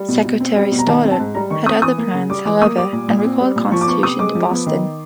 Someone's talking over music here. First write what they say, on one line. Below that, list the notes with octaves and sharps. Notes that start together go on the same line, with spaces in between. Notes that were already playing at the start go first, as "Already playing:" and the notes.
Secretary Stoddert had other plans, however, and recalled "Constitution" to Boston.
Already playing: G3
B2
B2
C4
G3
B2
A#5
D#3 A5
C4
A5
G#2
G3 A#5
D#3 C#6
C4 D#6
E3 D#6
A#3
C#3
G3 D6
E3 D6
A#3 D#6
G3 D6
A#2
A#2
C4
G3
A#2
F3 C#6
D6
B3 C#6
C3 D#6
G#3 D6
F3
B3
D#3